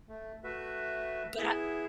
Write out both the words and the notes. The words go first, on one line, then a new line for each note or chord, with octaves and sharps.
but, ah
A3
A3 F#4 B4 E5
B3 E4 G#4 E5